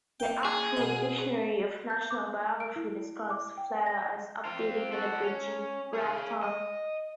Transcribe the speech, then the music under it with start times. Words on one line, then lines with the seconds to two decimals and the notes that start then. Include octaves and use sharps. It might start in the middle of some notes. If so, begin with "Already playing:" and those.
The "Oxford Dictionary of National Biography" describes "Fleta" as "updating and abridging" Bracton.
0.20 A#3 G5
0.45 G#4
0.77 B2
1.90 G6
2.11 D6
2.60 D7
2.76 E4
3.30 D6
3.58 G5
3.86 A#6
4.45 C4 F4
4.92 F#4 A4
5.23 C#4
5.95 G#4 F5
6.43 D#5